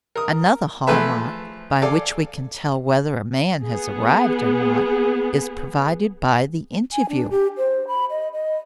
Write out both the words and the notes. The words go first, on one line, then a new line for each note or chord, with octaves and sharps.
Another hall-mark by which we can tell whether a man has arrived or not is provided by the interview.
A#4 D#6
F3 A3 G#4 B4 E5
G#4 A4 D5 F5
B3 G#4
G#5
D4
G4
C5
B5
D#5
D#5